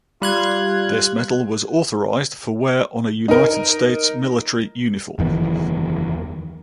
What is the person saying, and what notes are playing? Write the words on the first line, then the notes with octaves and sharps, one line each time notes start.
This medal was authorized for wear on a United States military uniform.
G3 F4 F#6 G#6
D#4 A#4
F#1 E2 D#3 B3